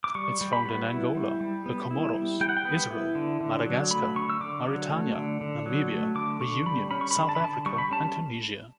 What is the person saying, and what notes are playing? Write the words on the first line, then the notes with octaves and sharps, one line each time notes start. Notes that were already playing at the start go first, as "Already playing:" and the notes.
It’s found in Angola, the Comoros, Israel, Madagascar, Mauritania, Namibia, Reunion, South Africa and Tunisia.
D6
G3 C#6
G3
B5
B3
E4
G3
G3
B3
E4
G3
G3 G5
F#5
G5
B3
E4
D3
D3
F#3
A3 B5
D3 C#6
E6
D3 D6
F#3
A3
D3
D3
F#3
A3
D3 D6
D3 C#6
G3 B5
C#4 B5
C#6
B5
D3
A5
B5
D3 A5
G3 C#6
B5
C#4 A5